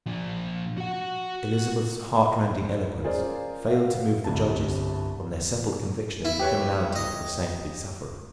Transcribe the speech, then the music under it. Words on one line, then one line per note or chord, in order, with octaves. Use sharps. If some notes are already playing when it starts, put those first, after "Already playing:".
Elizabeth's heart-rending eloquence failed to move the judges from their settled conviction in the criminality of the saintly sufferer.
A#2 F3
F#4 F#5
C#4 F4 G#4 A#4 C5 D5
F#4 E5 F5
G1 C2 G3 A5
E4
G4 B4 C#5
D#5